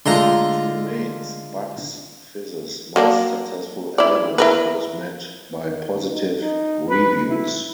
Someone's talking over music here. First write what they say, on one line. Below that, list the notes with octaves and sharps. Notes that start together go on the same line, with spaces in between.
It remains Bucks Fizz's most successful album and was met by positive reviews.
D3 G#3 A3 F4 A#5 C6
F#3 A#3 D4
E4 D5
E4 A#4 B4
D#3
D#4
D#4
B4
E4